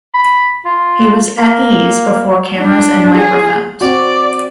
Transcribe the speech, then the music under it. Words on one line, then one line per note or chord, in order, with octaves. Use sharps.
He was at ease before cameras and microphones.
B5
F4
A#3
D4
G#4
C4 F#4 D5